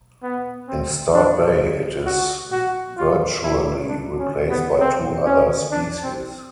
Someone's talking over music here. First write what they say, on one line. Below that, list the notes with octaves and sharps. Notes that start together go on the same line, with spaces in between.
In Start Bay it is virtually replaced by two other species.
B3
C4
D4
F#4
F#4
F4
E4
D4
C#4
B3
C4
C#4
D4
C4